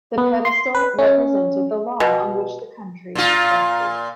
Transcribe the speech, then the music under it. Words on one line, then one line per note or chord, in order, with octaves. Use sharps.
The pedestal represented the law on which the country rested.
B3
C6
B4
C#4
B2
A#2 F4